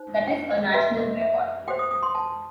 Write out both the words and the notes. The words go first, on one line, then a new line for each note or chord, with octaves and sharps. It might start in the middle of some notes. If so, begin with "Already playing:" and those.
That is a national record.
Already playing: D#4 C5
G5
D#5
F#4 B4 E5
D#5
E5
F#4 A4 C5 G5
D#6
D#6
C6
A5